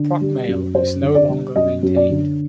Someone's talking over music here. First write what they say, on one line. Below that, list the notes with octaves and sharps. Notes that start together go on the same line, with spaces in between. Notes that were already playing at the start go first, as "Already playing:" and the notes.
Procmail is no longer maintained.
Already playing: D3
G3
F#2
F#2 C5
D3
D5
G3
F#2 D#5
F#2
D5
D3